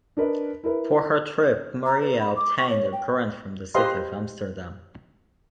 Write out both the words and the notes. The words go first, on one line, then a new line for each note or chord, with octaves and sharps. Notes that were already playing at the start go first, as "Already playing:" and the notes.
For her trip, Maria obtained a grant from the city of Amsterdam.
D4 A#4 B4 D#5
E4 A#4 B4
A#5
B4
B5
D6
C#6
C#5
G5
G4 B4 C5 D#5 F5 C6